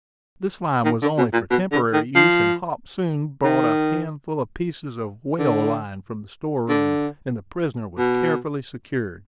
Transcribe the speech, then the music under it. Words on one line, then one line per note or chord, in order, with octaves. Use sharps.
This line was only for temporary use; and Hop soon brought a handful of pieces of whale-line from the store-room, and the prisoner was carefully secured.
D#3
D3
B2
A#2
B2
D3
D#3
F3
D#3
D3
D3
B2